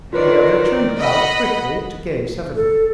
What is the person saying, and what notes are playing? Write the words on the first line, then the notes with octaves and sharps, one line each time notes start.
The other turned about quickly to gaze heavenward.
D#3 F4 A#4 B4 C#5 D5
D#5 F#5 B5 D#6
A4